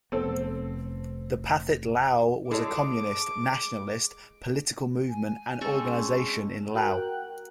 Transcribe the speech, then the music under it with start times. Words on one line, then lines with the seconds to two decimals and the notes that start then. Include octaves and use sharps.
The Pathet Lao was a communist, nationalist political movement and organization in Laos.
0.12 F1 B3 C4 A4
2.51 G#3 E4 A4 C#5 D6
5.08 G#5
5.61 G#3 C4 C#4 A4 C#6
6.75 F#4 A#4 G5 F#6